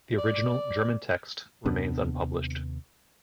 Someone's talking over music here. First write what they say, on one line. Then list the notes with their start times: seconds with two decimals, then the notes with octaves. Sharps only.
The original German text remains unpublished.
0.18 D5
1.65 D#2 C3 B3 D4